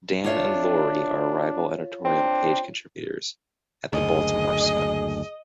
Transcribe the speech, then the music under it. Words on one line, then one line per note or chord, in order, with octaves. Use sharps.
Dan and Lorie are rival editorial page contributors at the "Baltimore Sun".
D4 F4 C#5 E5
C4 D4
F#1 D2 G#4 D#5